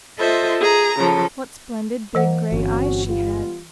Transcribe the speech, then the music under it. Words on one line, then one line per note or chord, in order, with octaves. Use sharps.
What splendid big grey eyes she had!
F4 A4 C5 D#5 E5
G#4 A#5
C#3 F3 A4
E3 A#3 C5 F#5
G1 C4 C#4 F#4
G3 B3 F4